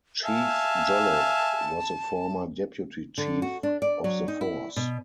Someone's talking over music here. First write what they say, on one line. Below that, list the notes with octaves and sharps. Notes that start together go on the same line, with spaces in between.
Chief Jolliffe was a former Deputy Chief of the force.
E5 F5 G#5 A5
D3
F#4
D4
D5
F#3
D#4
E4
B2